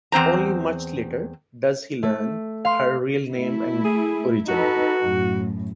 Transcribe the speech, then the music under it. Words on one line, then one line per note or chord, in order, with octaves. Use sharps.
Only much later does he learn her real name and origin.
E2 C4 C5 A#5
A3
F5 C6
A3 E4
G#4
D#4 F#4 A4 B4
F#2 A2